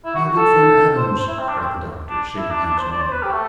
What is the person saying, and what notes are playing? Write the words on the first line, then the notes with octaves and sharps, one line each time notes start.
"My good friend Adams!" cried the doctor, shaking hands warmly.
E4
F#4
F#4
A4
C5
C5
C5
E4
C4
D4
C4
D4
E4
D4
D4
C5
D5
C5
B4
G4
A3